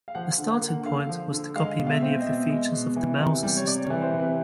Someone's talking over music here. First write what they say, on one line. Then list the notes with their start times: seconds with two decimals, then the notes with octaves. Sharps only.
The starting point was to copy many of the features of the Mauser system.
0.08 F5
0.15 F3 F#5
0.38 D3
0.50 F#5
0.61 A#3
0.68 F#5
0.85 D3 F5
1.09 F3
1.33 D3
1.56 G#3 F5
1.79 B2
1.87 F5
1.91 E5
2.02 C4
2.20 D#5
2.26 B2 E5
2.50 G#3
2.72 B2
2.96 E3
3.20 C3
3.43 G3
3.57 C#5
3.66 C3 D5
3.84 C#5
3.90 E3
4.02 C5
4.14 C3
4.20 B4